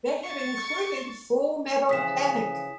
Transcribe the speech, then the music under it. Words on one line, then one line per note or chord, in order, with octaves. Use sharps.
They had included Full Metal Panic!
C#6 A6
C#3 E3 F3 D#6 B6 E7